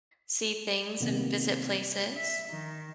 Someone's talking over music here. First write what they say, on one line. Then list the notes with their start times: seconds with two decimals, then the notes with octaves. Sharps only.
see things and visit places.
1.00 C3 D#3 A#3 B3
2.15 E5
2.49 D#3